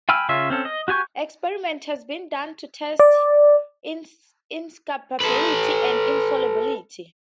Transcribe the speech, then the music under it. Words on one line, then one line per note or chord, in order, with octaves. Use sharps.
Experiments have been done to test inescapability and insolubility.
G5 G#5 B5 E6 F6
C#3 C#4 F4 E5
C4 C#4 A4
D#5
F#4 G4 G#5 C#6 G6
D5
A4 B4